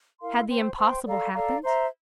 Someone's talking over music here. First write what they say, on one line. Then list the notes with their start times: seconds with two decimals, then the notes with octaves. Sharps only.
Had the impossible happened?
0.20 E4 A#4 F5 C6
0.48 C5 G5 C6
0.77 C5 G5 C6
1.05 A4 D5 F5 A#5
1.34 A4 D5 F5 A#5
1.62 C5 E5 A#5